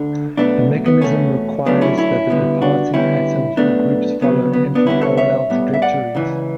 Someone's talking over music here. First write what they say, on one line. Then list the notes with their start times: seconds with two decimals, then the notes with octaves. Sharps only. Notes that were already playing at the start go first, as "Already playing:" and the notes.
The mechanism requires that the departing atoms or groups follow antiparallel trajectories.
Already playing: D2 D3
0.37 B1 B2 A3 B3 D4
0.86 B3
1.02 E2 B2 A3 C#4
1.65 D2 D3 F#3 A3 B3 D4
1.81 C#4 E4
1.98 C#4 E4
2.30 D2 D3 G3 B3
2.61 D4 F#4
2.94 D2 D3 G3 B3 C#4 E4
3.57 B1 B2 A3 B3 D4
4.21 D2 C#3 F#3 B3
4.53 B3
4.75 B3 D4
4.86 E2 D3 G3 B3 C#4 E4
5.02 A4 C#5
5.17 C#5 E5
5.50 A2 G3 B3
5.74 E5
5.82 D5 F#5
6.15 C#2 C#3 E3